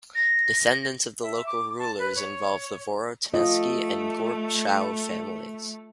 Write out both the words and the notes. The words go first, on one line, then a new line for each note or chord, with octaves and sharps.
Descendants of the local rulers include the Vorotynsky and Gorchakov families.
A#6
E5
D6
A5
B4
C#5
A3 F4 D#5